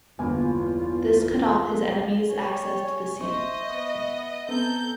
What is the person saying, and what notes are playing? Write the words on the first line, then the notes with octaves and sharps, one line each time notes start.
This cut off his enemies' access to the sea.
G1 E2 A#3 F4 G#5
C#5 G#5
C5 D#5 E5 C#6
B3
B3 C4 A4 A#5 G6